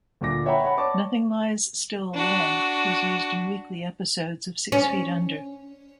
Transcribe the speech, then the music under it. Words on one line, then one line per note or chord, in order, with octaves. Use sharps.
"Nothing Lies Still Long" was used in weekly episodes of "Six Feet Under".
D2 A#2 D4 D6 A#6
C#5 E5 F#5 G5 A#5 B5
C#5 F#5 A5 B5
C#5 D5 A5 C#6 D6
D4 F#4
C#4